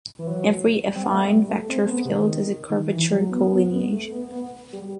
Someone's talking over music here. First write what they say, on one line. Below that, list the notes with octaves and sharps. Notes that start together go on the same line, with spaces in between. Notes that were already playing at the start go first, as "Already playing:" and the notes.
Every affine vector field is a curvature collineation.
E3
F#3
G3
C4
B3
A3
G3
A3
C4
A3
B3
C3
D#3
D#3
E3
F#3
B3
B3
B3
A3
B3
B3
G3